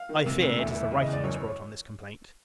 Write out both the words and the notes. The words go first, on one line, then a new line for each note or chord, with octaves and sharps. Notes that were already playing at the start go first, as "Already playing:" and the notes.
I fear, it is the writing has brought on this complaint.
Already playing: F5
D#3
C3
D2
E2 E5
E5
E3
E5
C#3 E5
D#5
E2
D5
F#2 C#5
C#5